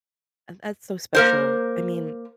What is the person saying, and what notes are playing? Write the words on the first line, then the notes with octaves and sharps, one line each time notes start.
Uh, that's so special. I mean
A#3 A#4 C5